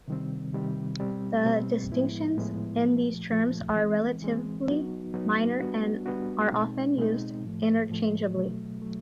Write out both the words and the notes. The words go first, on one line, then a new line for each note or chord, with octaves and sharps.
The distinctions in these terms are relatively minor and are often used interchangeably.
C3 D#3 G3 C4
C3 D#3 G3 C4
B2 G3 C4
B2 G3 C4
A2 F3 G#3 B3 E4
A2 F3 G#3 B3 E4
A#2 F3 A3
A#2 F3 A3
E3 G#3 C4
E3 G#3 C4
F#3 B3 D#4 F#4
F#3 B3 D#4 F#4
G3 B3 D4 F#4
G3 B3 D4 F#4
B2 G#3 C4 D#4
B2 G#3 C4 D#4
A2 F3 A3
A2 F3 A3
B2 F#3 A3
F#3 A3